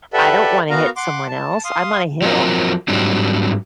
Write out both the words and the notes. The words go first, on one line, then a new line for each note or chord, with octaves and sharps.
I don't wanna hit someone else, I'm on a hill.
G4 A4 B4 D5 E5 F#5
B3 F#4 A#4 F5 A#5
F#5 C6 D6
A5
F5 C6 D#6
F3 F#3 C4 A#4
G#2 F#3 G3 C4 D4